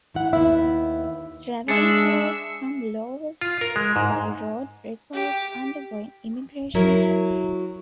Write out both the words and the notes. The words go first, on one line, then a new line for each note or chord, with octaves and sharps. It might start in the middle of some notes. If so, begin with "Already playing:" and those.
Travelling to or from Lawas by road requires undergoing immigration checks.
D#3 E4 F#5
D#2 B3 E4 E5
G#3 D4 E5 E6 C#7
F4
A#4
G#3
G#2
G4
F#3 E4 A#4